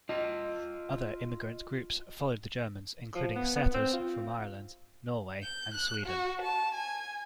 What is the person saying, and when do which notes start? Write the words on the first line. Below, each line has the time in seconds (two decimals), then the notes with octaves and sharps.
Other immigrant groups followed the Germans including setters from Ireland, Norway and Sweden.
0.09 F4 D#5
3.15 F3
3.36 B3
3.56 B3
3.74 C4
3.93 F4
5.43 G6
5.74 F#6
6.06 F#4
6.42 A5
6.75 G#5